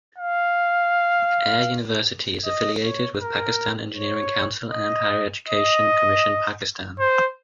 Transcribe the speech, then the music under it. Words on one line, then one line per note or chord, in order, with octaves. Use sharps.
Air University is affiliated with Pakistan Engineering Council and Higher Education Commission Pakistan.
F5
D#5
C#5
A#4
C#5
D#5
D#5
C5